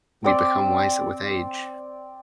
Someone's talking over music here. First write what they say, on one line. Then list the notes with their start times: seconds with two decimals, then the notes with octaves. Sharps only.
We become wiser with age.
0.24 C4 D5